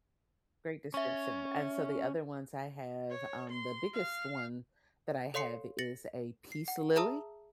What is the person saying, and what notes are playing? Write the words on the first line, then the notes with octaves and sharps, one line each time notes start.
Great description. And so the other ones I have, um, the biggest one that I have is a peace lily,
C#4 E5 C#6
C#5
C6
F5
A4 C#5 F5 C6 C7 C#7
A6 A#6 C#7 F#7
C7
F#5
G#4 E5 A5 A#5 D#6 E6